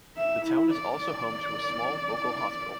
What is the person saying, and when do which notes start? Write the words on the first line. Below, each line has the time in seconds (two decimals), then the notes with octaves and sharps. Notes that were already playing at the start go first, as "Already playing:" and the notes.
The town is also home to a small, local hospital.
0.17 E5
0.46 E4
0.75 D5